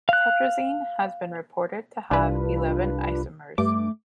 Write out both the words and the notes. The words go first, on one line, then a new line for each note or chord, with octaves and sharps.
Tetrazene has been reported to have eleven isomers.
F5 F#6
C2 D4 F4 B4
G2 A3 D6